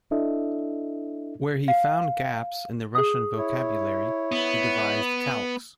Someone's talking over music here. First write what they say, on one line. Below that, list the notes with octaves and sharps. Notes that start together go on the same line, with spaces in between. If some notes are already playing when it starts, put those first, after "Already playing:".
Where he found gaps in the Russian vocabulary, he devised calques.
D4 E4 A4 D#5 E5
F5
G#4 D#6
E4 C#5
B3